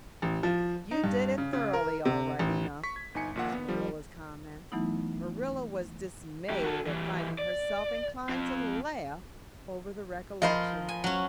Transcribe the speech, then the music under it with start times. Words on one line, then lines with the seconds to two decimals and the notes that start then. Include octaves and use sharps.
"You did it thoroughly, all right enough," was Marilla's comment. Marilla was dismayed at finding herself inclined to laugh over the recollection.
0.22 A1
0.43 F3
0.91 D#4
1.04 G2
1.38 C#3
1.53 C#3
1.73 A#4
2.05 C3
2.39 A1
2.83 C#6 B6
2.96 G#6
3.15 G1 D#4 G#5 C#7
3.35 A#1 A#2 F#5
3.53 B3
3.68 F3 G3
4.72 E3 F#3 A3 B3 D#4 E4
6.50 F2 G4
6.64 F#4 A4
6.87 E3 G3
7.39 D5
8.29 C4 F4
10.42 F3 A#4 C5 D#5 B5
10.89 G#5
11.04 F#3 C#4